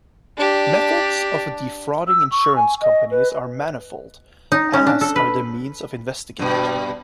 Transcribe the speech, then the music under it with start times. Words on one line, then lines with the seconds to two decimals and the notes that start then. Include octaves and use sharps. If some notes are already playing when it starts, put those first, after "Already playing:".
Methods of defrauding insurance companies are manifold, as are the means of investigating them.
0.38 D4 G4
2.07 E6
2.31 C#6
2.56 G#5
2.81 D#5
3.11 B4
4.52 D#4
4.73 C#4
4.87 D4
5.01 A4
5.16 B4
6.39 G2 B2